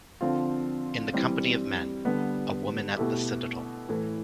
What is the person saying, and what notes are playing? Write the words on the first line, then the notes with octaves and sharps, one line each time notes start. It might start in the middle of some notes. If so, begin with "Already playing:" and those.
In the Company of Men: A Woman at The Citadel.
D3 F3 C4 F4
E3 G3 C4
D3 G3 B3
B2 A3 E4 G4
A2 E3 A3